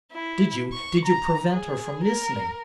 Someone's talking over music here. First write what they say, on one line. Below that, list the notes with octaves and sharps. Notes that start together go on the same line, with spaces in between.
Did you--did you prevent her from listening?'
E4
C#6
A#5
G#4
A#4